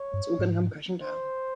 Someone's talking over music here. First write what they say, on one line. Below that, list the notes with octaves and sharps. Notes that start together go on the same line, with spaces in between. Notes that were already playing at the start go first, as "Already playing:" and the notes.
It's all going to come crashing down.
Already playing: C#5
G2
G#2
C5